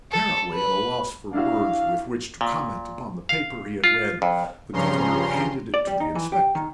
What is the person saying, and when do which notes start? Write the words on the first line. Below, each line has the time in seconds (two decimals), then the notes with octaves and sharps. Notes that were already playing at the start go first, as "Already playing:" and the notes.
Apparently at a loss for words with which to comment upon the paper he had read, the governor handed it to the inspector.
0.11 A4
0.53 B4
1.33 D4 E4 F#4 F5
2.41 A#2
3.29 F5
3.84 F4
4.22 F2
4.73 G2 C#3 F3 C#4 A#5 C6
5.74 D5
5.87 G3
6.00 D#4
6.15 E3
6.32 G4
6.55 D#3